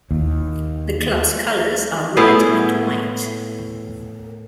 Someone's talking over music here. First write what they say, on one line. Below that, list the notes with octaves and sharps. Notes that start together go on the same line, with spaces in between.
The club's colours are red and white.
D#2
A2 B3 E4 G#4